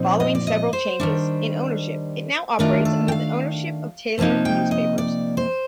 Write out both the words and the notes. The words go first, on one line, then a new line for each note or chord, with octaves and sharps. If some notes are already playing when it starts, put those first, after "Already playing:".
Following several changes in ownership, it now operates under the ownership of Taylor Newspapers.
Already playing: A#2 F3 C4 D#4
D#5
D5
D#5
C5
D#3 G3 D4
D#3 A3 D4 F4 A#4
A4
G5
F5
C3 F3 A#3 D#4 A5
G5
D#5
D5
C5